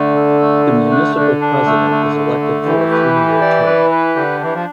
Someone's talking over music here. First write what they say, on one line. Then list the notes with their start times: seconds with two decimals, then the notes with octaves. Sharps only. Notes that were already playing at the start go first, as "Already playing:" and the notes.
The municipal president is elected for a three-year term.
Already playing: D3 A3
0.16 A4
0.41 A3
0.66 A3
0.91 D4
1.16 D3 D4
1.41 D4
1.66 A3
1.91 A3
2.16 A3
2.41 A3
2.66 E3 G4
2.91 B4
3.16 G4
3.41 D5
3.66 B4
3.91 B4
4.16 D3 G4
4.41 E3 D4
4.53 F3